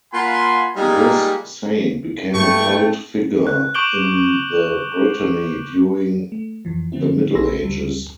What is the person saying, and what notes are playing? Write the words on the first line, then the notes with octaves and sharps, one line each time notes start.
This saint became a cult figure in the Brittany during the Middle Ages.
A#3 F4 F#5 G#5 B5 C6
G3 G#3 A#3 D#4 F4 G#4
G2 A3 A#3 E4 G5 C#6
F#6
C#6 D6 G6 D7 F#7 G7
A3
F2 E3 F3
D3 F3 A#3 C4 E4
A#1 G#5 B5 C6 E6 A#6
D2 G3